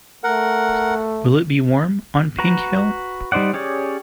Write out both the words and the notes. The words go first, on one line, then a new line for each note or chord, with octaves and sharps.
Will it be warm on Pink Hill?
A3 A#4 F#5
F#4 B4 A#5
G3 D#4 C5 D5 F#5
C#4 G4 G#4 C#5 D5